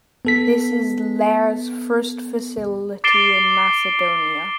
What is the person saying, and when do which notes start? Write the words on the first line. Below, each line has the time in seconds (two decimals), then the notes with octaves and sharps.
This is Lear's first facility in Macedonia.
0.25 B3 A4 B6
3.04 D6 A6 C7 D7 E7 G7